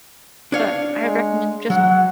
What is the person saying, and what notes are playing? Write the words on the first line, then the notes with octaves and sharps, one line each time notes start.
But I would recommend just
D4 C#5 F5
G#3
F#3 F#5